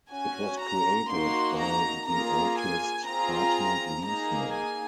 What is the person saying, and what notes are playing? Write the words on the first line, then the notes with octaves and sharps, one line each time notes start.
It was created by the artist Hartmut Wiesner.
C#4 F#4 G#5
A#5
A#3 D#4 F#4 C6
A#5
A#3 F4 G#4 A#5
G#5
C4 F4 G#4 A#5
A#3 D#4 G#4 A#5
G#5